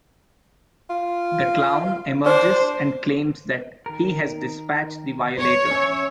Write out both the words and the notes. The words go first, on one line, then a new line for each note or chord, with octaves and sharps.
The Clown emerges and claims that he has dispatched the Violator.
F4
D4 C5
D#3 A#4
C#5
C#4 E5